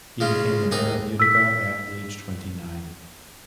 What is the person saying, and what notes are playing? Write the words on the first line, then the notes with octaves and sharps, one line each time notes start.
He became mayor of Utica at age twenty-nine.
C#3 G#3 F4
D#2 D#4 G#4 A#5
E6 B6